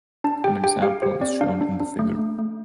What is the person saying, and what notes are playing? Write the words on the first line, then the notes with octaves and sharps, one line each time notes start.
An example is shown in the figure.
D4 A5
G4 G5
G4 G5
G4 F5
G4 C5
C4 D5
D4 F5
D4
D4
A3
A3
A3